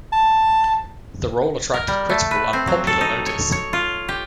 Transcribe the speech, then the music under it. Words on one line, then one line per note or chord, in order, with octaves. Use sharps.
The role attracted critical and popular notice.
A5
A#4
G3
A3
B4
C4
F#3
A4
D#4
C#5
C#5
F4
G4